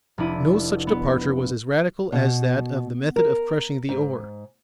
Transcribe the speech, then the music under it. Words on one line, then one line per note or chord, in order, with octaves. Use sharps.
No such departure was as radical as that of the method of crushing the ore.
F1 D4 E4 D#7
B3
B2
A#4
G#2